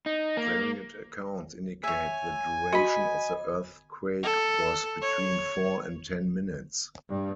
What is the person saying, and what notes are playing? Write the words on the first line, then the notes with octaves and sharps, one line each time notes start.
Varied accounts indicate the duration of the earthquake was between four and ten minutes.
D#4
A#3
C#5 E5 G#5
F#4 D#5 B5
A4
C#5
G2